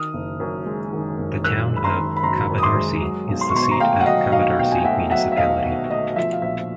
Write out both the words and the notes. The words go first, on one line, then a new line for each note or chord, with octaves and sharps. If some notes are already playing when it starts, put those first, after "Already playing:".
The town of Kavadarci is the seat of Kavadarci Municipality.
Already playing: D#3 D#6 F6
F#1
F#2
G#3
D#3
F#1
F#2 E6 F#6
G#3
B5
A#5 C6
D#3
B5
F#1 A#5 C6
F#2
D#6
C6 D6
G#3
F#3
B1
C6
C#6
B2 C6
C#6
A#5 C6
A3 F5 G5
F#5
F#3 D#5 F5
B1 D#5 F5
B2 F5 G5
G#5
G5
A3 E5 F#5
F#3 E5 F#5
E5
B1 D#5 F5
B2
A3 D#5
F3 E5
F5
A#1 E5